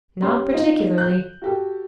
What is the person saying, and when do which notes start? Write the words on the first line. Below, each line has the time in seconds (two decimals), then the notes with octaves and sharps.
"Not particularly."
0.22 G3 C#4 C6
0.54 D#4 F4 D#5
0.98 F#6 G6
1.42 F#4 G4 A4